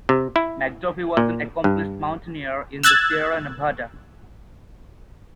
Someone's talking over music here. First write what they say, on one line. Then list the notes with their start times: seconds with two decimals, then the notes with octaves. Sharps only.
McDuffie was an accomplished mountaineer in the Sierra Nevada.
0.09 C3
0.36 E4
1.17 A#2
1.64 G2
2.83 E6 F#6 G#6 A6